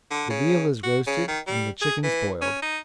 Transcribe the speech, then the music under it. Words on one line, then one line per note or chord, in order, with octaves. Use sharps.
The veal is roasted, and the chickens boiled.'
D3
C#3
F#4
C#3
D#3
G3
G#4
E3
C#4
D#4